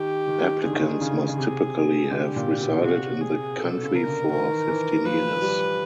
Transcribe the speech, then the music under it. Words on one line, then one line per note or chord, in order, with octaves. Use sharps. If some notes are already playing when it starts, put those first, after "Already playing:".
Applicants must typically have resided in the country for fifteen years.
Already playing: D#3 G4
D#3
D3 G#4
D#3
D3
C#3
C#3
C3 G#4
D3 G4
A#2
B2
C3 F#4
G#4
B2 A4
C#3
A#4
D3
D#3 A#4
E3
D#3
E3
F3 B4
G3